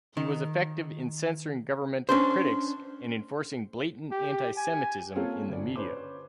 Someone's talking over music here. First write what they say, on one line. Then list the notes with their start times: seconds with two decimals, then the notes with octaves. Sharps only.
He was effective in censoring governmental critics and enforcing blatant Anti-Semitism in the media.
0.17 D#3
2.09 C#4 D4 C5
4.12 G4
4.57 G#5
5.15 A#3 C4 C#4 F4 A4
5.49 G1 D5
5.76 C#4 B4 C5 D6